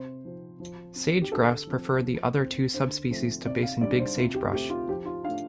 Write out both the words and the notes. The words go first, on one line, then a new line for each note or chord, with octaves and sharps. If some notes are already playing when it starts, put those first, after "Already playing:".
Sage grouse prefer the other two subspecies to basin big sagebrush.
Already playing: C3 C5
F3 C4
F3
C4
G4
D3 A4
F3 C4
F3
C4
D3 C5
F3 A3 C4
C3 D5
F5
G3 D4 D5
C5
C3 F4
G4
A3 C4 G4
F4
F3 G4
F4
A3 D4 F5